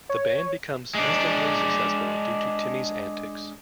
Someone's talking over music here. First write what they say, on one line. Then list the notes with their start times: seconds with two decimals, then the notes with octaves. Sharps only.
The band becomes instantly successful due to Timmy's antics.
0.09 C#5
0.95 G#3 D4